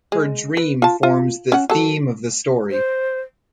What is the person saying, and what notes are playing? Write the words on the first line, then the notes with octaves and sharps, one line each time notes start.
Her dream forms the theme of the story.
G#3
B4
F4 A5
F4
C#4 F#5
F#3 A4
C5